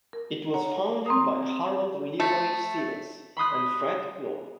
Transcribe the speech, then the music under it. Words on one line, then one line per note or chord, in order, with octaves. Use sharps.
It was founded by Harold Leroy Stevens and Fred Knorr.
A#4
C#5 F#5 A#5
C4 A#5 D#6
A3
B5 C6 D#6 F#6